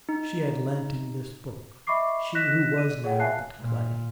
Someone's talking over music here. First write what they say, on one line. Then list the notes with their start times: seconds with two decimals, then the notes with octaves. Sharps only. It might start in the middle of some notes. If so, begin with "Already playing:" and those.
She had lent him this book--she who was now but clay.
0.09 D#4
1.87 D#5 E5 B5 C#6 D6 C7
2.35 D#5 F#6 A#6 B6 E7
2.78 D#7
3.04 G#4 C#5 F#5
3.20 E5 F5 G#5 A5 F#6 C7
3.58 A#2